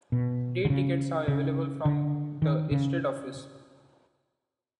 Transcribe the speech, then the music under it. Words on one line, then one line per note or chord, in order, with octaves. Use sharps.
Day tickets are available from the Estate Office.
B2
D3
C#3
C#3
D3
D#3
C#3